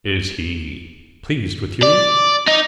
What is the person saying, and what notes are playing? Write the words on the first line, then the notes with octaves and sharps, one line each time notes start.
"Is he pleased with you?"
D5
D#4